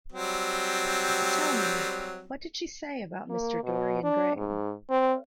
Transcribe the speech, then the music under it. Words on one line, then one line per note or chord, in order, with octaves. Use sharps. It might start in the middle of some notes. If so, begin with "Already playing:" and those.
But tell me, what did she say about Mr. Dorian Gray?
F#3 G3 C4
A#3
B2
D4
G#2
C4